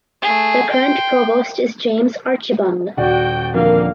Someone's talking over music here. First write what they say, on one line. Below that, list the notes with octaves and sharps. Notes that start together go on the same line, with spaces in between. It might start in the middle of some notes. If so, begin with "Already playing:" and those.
The current Provost is James Archibong.
A3 G#4
G5 C6
D#1 F#4 D5 F#5 G5
F2 D3 A#3 A#4 F5